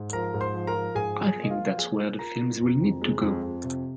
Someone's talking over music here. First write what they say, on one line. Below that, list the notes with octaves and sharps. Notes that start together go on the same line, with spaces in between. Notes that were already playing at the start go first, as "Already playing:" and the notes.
I think that's where the films will need to go.
Already playing: G#2
F3 A#4 A#5
G#2
C5 C6
F3
A#4 A#5
F3
G#2 G#4 G#5
F4
G#4 G#5
A#3
D#5
F4 F5
F3
F5
A#3 G#4 G#5
F4
F4 A#4 A#5
F4
F2
F2
G#3
F2
F2
C3